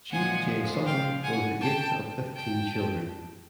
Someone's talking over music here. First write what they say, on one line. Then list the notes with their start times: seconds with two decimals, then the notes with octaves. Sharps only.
G. J. Sutton was the eighth of fifteen children.
0.11 A#2 F3 G#3 F#5 G#5
0.86 F5 G5
1.23 F#5 G#5
1.60 G5 A5
2.35 G5 A5